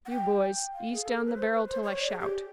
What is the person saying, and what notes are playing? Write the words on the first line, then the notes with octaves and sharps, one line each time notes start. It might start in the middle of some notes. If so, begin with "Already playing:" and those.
You, boys, ease down the barrel till I shout.
F#5
G5
F5
G#4
A4
A#4
B4
C5
B4
C5
C#5
D5
G#4
G4